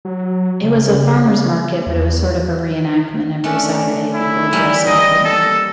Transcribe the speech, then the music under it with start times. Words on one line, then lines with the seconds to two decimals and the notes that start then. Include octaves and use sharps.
it was a farmer's market, but it was sort of a reenactment. Every Saturday, people would dress up and
0.05 F#3
0.63 C#3
1.86 E2
3.44 A3 C#4 D4
4.14 E4
4.51 E3 G3 A#3
4.86 A#3 D#5
5.24 A4